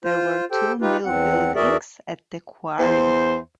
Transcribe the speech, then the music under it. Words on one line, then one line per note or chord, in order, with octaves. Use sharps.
There were two mill buildings at the quarry.
F4 C5
G4 A4 C5 G5
D#4 F4 G4 B4
E2 C4 F#5
E2 F#4 G#4 A#4 D5 E5
E2 C5